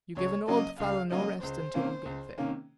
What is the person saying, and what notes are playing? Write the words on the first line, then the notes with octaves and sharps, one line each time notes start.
You give an old fellow no rest until you get there.
C#2 C#5
C#3 F#3 A#3 C#4 D#5
C#2 F5
C#3 F#3 A#3 C#4 D#5
C#2 C5
C3 D#3 A#3 C#4
C#2
C3 D#3 A#3 C#4